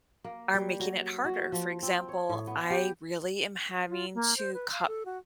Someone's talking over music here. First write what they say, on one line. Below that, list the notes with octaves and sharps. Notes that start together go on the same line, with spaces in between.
are making it harder. For example, I really am having to cut
A#3
G3
F#3
F#4
F3
C4
C#5
A2
B3
G4
F4
A#3
C5
B4
F5
A4
F#4